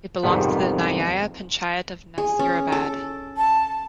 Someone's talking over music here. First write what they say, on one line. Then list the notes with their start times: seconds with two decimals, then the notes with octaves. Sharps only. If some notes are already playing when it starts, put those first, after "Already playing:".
It belongs to the nyaya panchayat of Nasirabad.
0.23 F2 G#2 C3 D#3 G3 B3
2.18 G#4
2.39 C#4
2.72 A4
3.37 A5